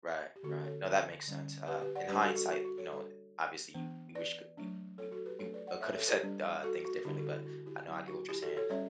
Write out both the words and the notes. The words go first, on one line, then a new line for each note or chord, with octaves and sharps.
Right, right. No, that makes sense. Uh, in hindsight, you know, obviously, you we wish c we we we, uh, could have said, uh, things differently, but I know I get what you're saying.
G4
D3 A3 C#4 F#4 A4
A4 C#5
D3 G3 C#4
G4 B4
G4 B4
D5 F#5
G3 D4 G4 B4
F#4 A4
F#4 A4
F#4
F#4
A4 C#5
G3 D4 A4 C#5
E3 B3 D4
B4 D5
F#3 A3 D4
A4 C#5
F#4 A4
G4 B4
F#3 A3 D4 A4 C#5
B4 D5
D5 F#5
C#5 E5
A4 C#5
G4 B4
G3 D4
F#4 A4
F#4
D3 G3 D4 E4 G4
F#4 A4
E4
F#4
E4 G4
F#3 C#4 E4
F#4
E4 G4
F#4 A4
A4 C#5
G3 C#4 C#5 E5